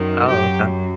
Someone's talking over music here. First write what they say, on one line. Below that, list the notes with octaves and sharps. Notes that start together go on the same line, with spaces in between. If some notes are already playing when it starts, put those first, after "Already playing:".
Oh, okay.
Already playing: F#2 D#3
F#2 F#3 G4